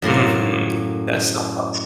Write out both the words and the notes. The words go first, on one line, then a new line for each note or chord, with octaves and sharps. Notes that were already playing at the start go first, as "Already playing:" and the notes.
Mhm. That's so awes
F#2 A2 A#3 C6